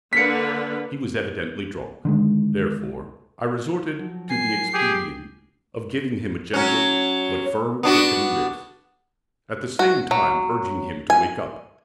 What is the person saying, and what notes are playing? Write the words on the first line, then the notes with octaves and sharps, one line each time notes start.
He was evidently drunk, therefore I resorted to the expedient of giving him a gentle but firm kick in the ribs, at the same time urging him to wake up.
D3 A#3 B4 B6 C#7
D3 D#3 G#3
F3 F#3
A#4 G#5 C7
G4 G#4
F#3 C#4
B3 D4 F#4
F#4
F#3
G#5